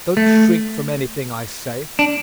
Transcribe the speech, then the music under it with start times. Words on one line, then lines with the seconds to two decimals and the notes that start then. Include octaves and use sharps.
Don't shrink from anything I say.
0.17 A3
1.99 D4